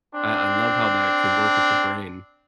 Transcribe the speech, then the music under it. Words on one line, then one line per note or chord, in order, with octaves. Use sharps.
I I love how that can work with the brain.
C4 D4